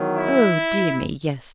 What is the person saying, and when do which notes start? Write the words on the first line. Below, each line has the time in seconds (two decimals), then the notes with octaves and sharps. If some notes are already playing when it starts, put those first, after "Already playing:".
Oh dear me yes.
Already playing: E2 D#3 F#3
0.14 E4